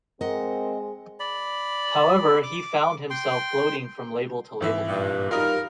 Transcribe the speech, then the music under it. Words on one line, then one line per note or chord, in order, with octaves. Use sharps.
However, he found himself floating from label to label.
G#3 C4 A#4 D#5 F#5
D5 B5
D6
G5 C6
G#1 E3 E5
G2 A#2
G3 D#4 F4 A#4